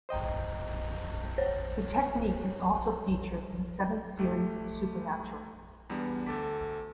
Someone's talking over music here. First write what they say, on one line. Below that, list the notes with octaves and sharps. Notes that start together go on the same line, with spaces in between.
The technique is also featured in the seventh series of "Supernatural".
C5 D#5 G5 A#5
C5 C#5
G#2 A3 G4
E2 G3 B3 D4
D2 A3 A4 A5 D6 B6